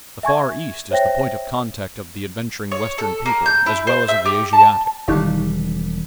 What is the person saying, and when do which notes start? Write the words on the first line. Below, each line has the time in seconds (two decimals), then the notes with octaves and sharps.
The Far East is the point of contact of the adventuring Western people as well as of the Asiatic.
0.23 E5 G#5 C#6 G#6
0.91 C5 C#5 E5 G5 A#6
2.72 C#5
2.98 A4
3.26 A#3
3.46 G6
3.66 E4
3.87 C5
4.08 E5
4.25 G4
4.53 A5
5.08 E1 D3 D#3 G3 D#4 G4 F5 D6